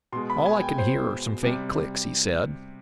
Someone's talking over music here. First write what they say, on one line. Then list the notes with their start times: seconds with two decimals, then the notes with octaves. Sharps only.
"All I can hear are some faint clicks," he said.
0.12 B2 C6
0.16 G#3
0.30 B5
0.46 G#5
0.62 G5
0.78 C5
1.43 C3 G3